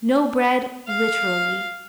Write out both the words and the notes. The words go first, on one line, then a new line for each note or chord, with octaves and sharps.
No bread literally.
F5